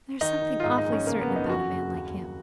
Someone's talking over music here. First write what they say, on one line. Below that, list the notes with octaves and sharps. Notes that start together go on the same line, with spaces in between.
There is something awfully certain about a man like him.
D#3 D#4
D#3
F4
G#2 D#4
D#4
A#1
C#4
C#3 A#3
B3
F#2
D#4
F2 F#4
F#1
D#2
D#2